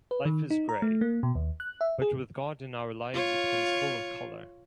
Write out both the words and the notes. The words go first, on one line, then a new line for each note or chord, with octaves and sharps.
Life is grey but with God in our lives it becomes full of colour.
B4
D#3
D#4
A#5
A3
A#3
B2
D#2
F#6
E5
G#4
F4 C#5